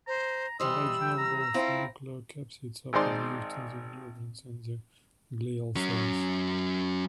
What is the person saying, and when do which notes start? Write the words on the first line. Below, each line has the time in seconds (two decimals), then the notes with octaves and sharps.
A large number of nucleocapsids are produced in the neurons and the glial cells.
0.07 C5 A#5
0.60 E3 G3 C5 D#5 E6
1.01 G5
1.19 A#5
1.54 C4 E4 F4
2.93 G#1 G#3 D#4 C5 D5 C6
5.76 F#3 C#4